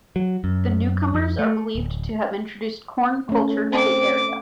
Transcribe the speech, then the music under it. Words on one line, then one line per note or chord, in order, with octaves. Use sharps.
The newcomers are believed to have introduced corn culture to the area.
F#3
F#2
F2
A3
D1
A3 C#4
C4 D6